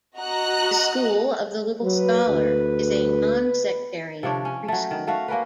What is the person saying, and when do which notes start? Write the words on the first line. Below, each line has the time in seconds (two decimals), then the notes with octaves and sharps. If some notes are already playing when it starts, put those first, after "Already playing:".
The School of the Little Scholar is a non-sectarian preschool.
0.17 F#4 D#5 A#5 F#6
1.83 F#3 B4
2.28 D2
4.23 C3 F3 D4 C#5
4.45 C#4
4.68 F#3 A3
4.91 D#3
5.07 A3 F#4 F5
5.28 A#3 C#4 A#4 B4